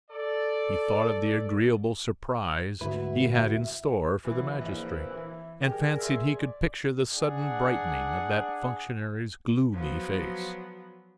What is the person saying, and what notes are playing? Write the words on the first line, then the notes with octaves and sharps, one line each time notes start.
He thought of the agreeable surprise he had in store for the magistrate, and fancied he could picture the sudden brightening of that functionary's gloomy face.
A4 D5
D2 G#2 E4 F#4 B4 E5
F#2 E3 F#3 B4
A#1 A#3 C4 E4
E3
G3 G4 G#4 A#4
E5 C6
D5
D4 G#4 D5 F#5
F3 F#3 B3